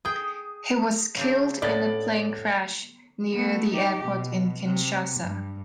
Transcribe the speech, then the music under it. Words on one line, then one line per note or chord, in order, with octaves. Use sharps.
He was killed in a plane crash near the airport in Kinshasa.
G#4 G5 D#6
C#3 C4 D4
A2 B3 D5 A6
A3 B3
D#4 G4
B2
C3
G2